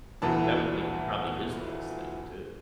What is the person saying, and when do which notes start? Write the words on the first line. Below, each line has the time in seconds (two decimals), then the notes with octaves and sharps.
That was like e probably his last thing, too.
0.22 D2 A#2 E3 A5